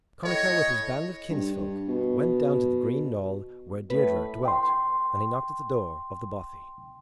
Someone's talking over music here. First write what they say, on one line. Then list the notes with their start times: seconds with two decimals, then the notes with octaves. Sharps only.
Connachar with his band of kinsfolk went down to the green knoll where Deirdre dwelt and he knocked at the door of the bothy.
0.24 A2 C#5 D#5
1.30 G2
1.88 B2
3.90 A2 A3 B4
4.45 G5 C6